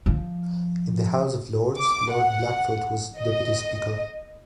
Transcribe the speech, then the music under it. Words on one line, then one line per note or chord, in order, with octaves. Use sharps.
In the House of Lords, Lord Blackford was Deputy Speaker.
F3
D6
F#5
D#5